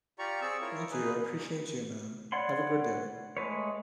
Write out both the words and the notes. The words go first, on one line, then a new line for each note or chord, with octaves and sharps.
Thank you, I appreciate you, ma'am. Have a good day.
F4 G4 D5 A#5 C#6
C4 G#4 D5 C#6 E6
E4 F4 A#4 C#5
D#4 G#4 B4
C#5 D5 F#5 B5 C6
G#3 A3 B4 C#5